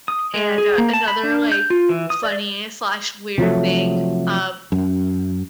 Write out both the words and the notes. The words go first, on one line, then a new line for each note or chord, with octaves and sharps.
and, uh, another, like, funny/weird thing of
D#6
G#3
G#4
A#3
A5
B5
D4
G6
F4
E3
D#6
D5
C3 F3 F#3 A3
F#2